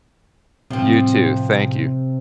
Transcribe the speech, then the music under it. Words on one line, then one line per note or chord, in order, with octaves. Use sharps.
You too, thank you.
A2 C3 F3 C4